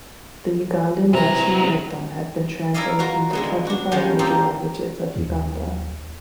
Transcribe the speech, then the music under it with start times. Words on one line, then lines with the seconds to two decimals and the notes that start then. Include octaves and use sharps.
The Ugandan national anthem has been translated into twenty-five major languages of Uganda.
1.13 C3 E3 G3 A#5
2.74 E4 A4 A#4 D5 D#5 F5
2.99 F4 F#4 A#4 F5
3.33 D3 G#3 B3
3.67 D4 F#4
3.92 D#3 F3 G3 G#3 C#4
4.19 F3 A#3 C4 D#4 F4 G4
5.16 D#2